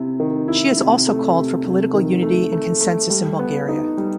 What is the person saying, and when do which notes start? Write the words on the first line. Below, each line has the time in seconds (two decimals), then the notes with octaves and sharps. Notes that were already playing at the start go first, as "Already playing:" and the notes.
She has also called for political unity and consensus in Bulgaria.
Already playing: C3 E4
0.20 D#3
0.48 E4
0.78 C3
1.07 A3
1.36 C3
1.65 C3
1.94 D#3
2.23 A3
2.52 A3
2.81 A3
3.10 G3
3.39 B3
3.69 D#4
3.98 G3